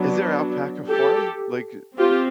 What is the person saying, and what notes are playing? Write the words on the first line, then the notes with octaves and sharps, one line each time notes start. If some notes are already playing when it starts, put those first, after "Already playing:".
Is there a alpaca farm, like, uh,
Already playing: F#3 B3 D4
G4 A4
C4 F4 G4